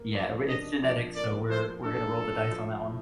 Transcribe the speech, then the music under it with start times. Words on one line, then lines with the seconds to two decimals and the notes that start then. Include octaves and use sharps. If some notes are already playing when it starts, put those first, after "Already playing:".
Yeah, we it's genetic, so we're we're gonna roll the dice on that one.
Already playing: A#3
0.14 F3 D5
0.49 D4 D#5
0.82 F3 D5
1.16 A#3 D5
1.50 F3 C5
1.83 D4 A4
2.18 F3
2.51 F3
2.86 A2